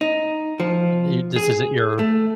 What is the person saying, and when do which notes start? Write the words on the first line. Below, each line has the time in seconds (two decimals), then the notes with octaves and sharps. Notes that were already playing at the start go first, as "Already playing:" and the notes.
Th this isn't your,
0.01 D#4
0.60 F3
1.36 G#4
1.99 A3